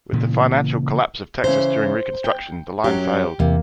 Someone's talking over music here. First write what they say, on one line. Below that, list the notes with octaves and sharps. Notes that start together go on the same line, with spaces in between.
With the financial collapse of Texas during Reconstruction, the line failed.
A#2 C#3 E3
C#3 E3 C#4 C5
G5
F#2 F#3 C#4 G4
E2 C3 A#3